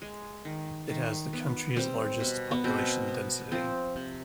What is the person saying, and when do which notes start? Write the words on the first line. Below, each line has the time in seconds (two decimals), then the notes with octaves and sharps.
It has the country's largest population density.
0.02 G#3
0.45 D#3
0.89 D#3
1.33 B3
1.76 G3 C4
2.20 B2
2.51 B3
2.64 B2 C4
3.08 B3
3.52 F3 C4
3.96 C3